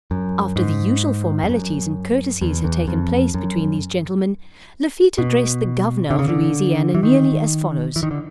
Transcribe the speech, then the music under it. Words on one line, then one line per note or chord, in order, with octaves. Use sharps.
After the usual formalities and courtesies had taken place between these gentlemen, Lafitte addressed the Governor of Louisiana nearly as follows.
F#2
G#2
F2
F#2
E2
E2
F2
F#2
B2
D3
C#3
D3
E3
D#3
E3
D#3
D3